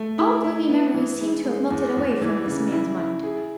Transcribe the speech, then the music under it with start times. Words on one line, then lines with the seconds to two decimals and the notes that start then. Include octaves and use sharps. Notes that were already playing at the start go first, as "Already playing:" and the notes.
All gloomy memories seemed to have melted away from this man's mind.
Already playing: A3
0.18 E4
0.44 E4
0.69 B3
0.94 E3
1.20 G#3
1.45 G#3
1.70 E2
1.97 E2
2.21 E3
2.46 C#3
2.72 E4
2.97 E4
3.23 G#4